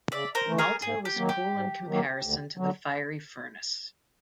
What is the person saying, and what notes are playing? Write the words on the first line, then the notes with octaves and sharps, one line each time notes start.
Malta was cool in comparison to the fiery furnace.
C#3 D5 E5
A#4 C5
E3 A3
G#4 A#4
G#2 G#4
G4
D#3 F#3 A#3
G4
G#2
D#3 F#3 A#3
D2
D3 F#3